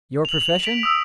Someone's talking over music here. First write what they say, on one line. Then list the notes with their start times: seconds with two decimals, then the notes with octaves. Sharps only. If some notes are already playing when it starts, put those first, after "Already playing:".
"Your profession?"
0.25 F7 F#7
0.63 B6 D7 F7
0.83 D#6 E6